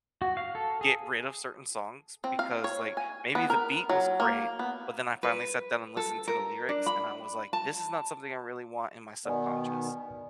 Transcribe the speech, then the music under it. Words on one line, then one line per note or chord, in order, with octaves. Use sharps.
get rid of certain songs because like maybe the beat was great, but then I finally sat down and listened to the lyrics, and I was like, "This is not something I really want in my subconscious,"
F#4
F5
A4
G#4
C4
F5
C#5
G#5
B3
A#4
F#3
A#3
B3
B4
A4
A#4
D4
B5
A5
B2 D#3 B3 D5 G#5